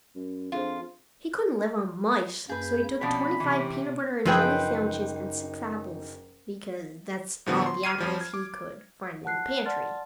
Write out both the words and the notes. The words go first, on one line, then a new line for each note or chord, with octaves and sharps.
He couldn't live on mice, so he took twenty-five peanut butter and jelly sandwiches and six apples, because that's all the apples he could find in the pantry.
F#2
F2 D4 F4 G#4 C5
F#2 A#3 G#4 B4 G6
B2 F3 C4 C#4 D5 B5
C3 E3
F#1 F3 C4 D#4 G#4 B4 G5
A2 D3 F3 G3 B3 F#4
C6
F6 G#6 C7 D#7
F2 F3 G3
G#6
D6
F#5 A5 F#6 C7
D5 F#5 A5 C6 F6 A6